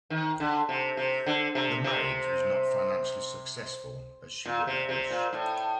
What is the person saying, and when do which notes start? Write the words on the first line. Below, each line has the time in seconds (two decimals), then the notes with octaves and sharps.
The marriage was not financially successful as she would have wished.
0.10 D#3
0.40 D3
0.69 C3
0.97 C3
1.26 D3
1.55 C3
1.84 C3
4.45 A#2
4.67 C3
4.89 C3
5.10 A#2
5.33 A2